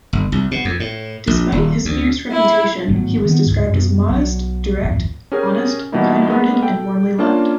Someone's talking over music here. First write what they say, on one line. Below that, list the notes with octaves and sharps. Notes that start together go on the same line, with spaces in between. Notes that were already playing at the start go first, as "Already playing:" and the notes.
Despite his fierce reputation he was described as modest, direct, honest, kind-hearted and warmly-loved.
G1
C2
B2
F2
A2
A#1
D#1
D2
E4
G#1 A2 F#3 B3
D#3 B3
C#2 G#2
F#2 B2
B1 F#3
D1 G#1 F2
C#4 G4 G#4 A#4 G#5
B2 E3 G3 A#3 D#4 E4
G#3 A#3 B3
A4 G5
A#3 C#4 D4 F4 A5